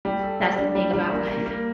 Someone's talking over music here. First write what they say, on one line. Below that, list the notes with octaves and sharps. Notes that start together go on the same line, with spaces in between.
That's the thing about life.
G3
A4
G3
D4
G3
G3
A#3
A#3
A#3